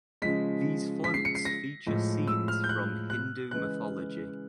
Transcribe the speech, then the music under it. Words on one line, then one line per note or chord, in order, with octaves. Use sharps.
These floats feature scenes from Hindu mythology.
C#3 F3 G#3 B6
B6
C7
C#7
C7
A#6
A2 F3 G#3
E6
F6
G6
F#6
F#6
C#3 E3 G#3 F#6